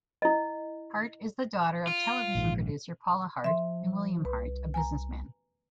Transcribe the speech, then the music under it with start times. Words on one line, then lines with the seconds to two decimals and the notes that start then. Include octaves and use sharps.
Hart is the daughter of television producer Paula Hart and William Hart, a businessman.
0.22 E4 D#5
1.87 F4
2.35 A#1 G#2
3.44 F3 E5 C6
4.25 C2 B4
4.74 G#5 A#5